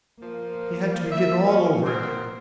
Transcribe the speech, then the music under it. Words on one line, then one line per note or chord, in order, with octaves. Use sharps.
He had to begin all over again.
F3 A#3 F4
E5
C#4 F4
B3 C4 A#4